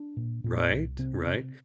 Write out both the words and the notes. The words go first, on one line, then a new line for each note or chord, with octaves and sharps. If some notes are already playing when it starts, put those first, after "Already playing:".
Right? Right?
Already playing: D4
A#2
A#2
C2
C3 C4
C3